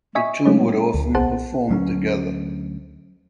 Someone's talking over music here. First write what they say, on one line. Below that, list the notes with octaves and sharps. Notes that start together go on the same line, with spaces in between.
The two would often perform together.
D#5 E5 G#5 C#6 B6
F#3 G#3 A3 C4 D#4 C#5
D2
B1 B3 G#4 C5 F#5 A5
D2 F#3 C#4